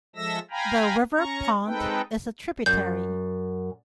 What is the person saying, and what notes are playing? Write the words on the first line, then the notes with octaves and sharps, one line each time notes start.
The River Pont is a tributary.
F3 G#3 A4 E5 E6 A#6
F5 G5 G#5 A#5 B5
C#4 A#5 C#6
G#3 C4 D#4 A4 B4 G5
F#2 G6